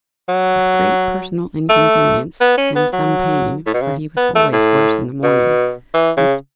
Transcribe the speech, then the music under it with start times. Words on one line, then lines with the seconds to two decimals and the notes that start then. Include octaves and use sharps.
With great personal inconvenience, and some pain--for he was always worse in the morning--Mr.
0.29 F#3
1.69 A3
2.41 B3
2.58 C#4
2.75 B3
2.93 F#3
3.66 A2
3.74 B2
3.82 C#3
4.17 B3
4.35 A3
4.53 A2
5.23 B2
5.94 E3
6.17 C#3